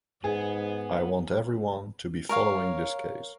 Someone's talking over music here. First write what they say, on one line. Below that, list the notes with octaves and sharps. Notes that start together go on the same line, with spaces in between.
I want everyone to be following this case.
G#2 B3 G#4
A#4 C#5 F5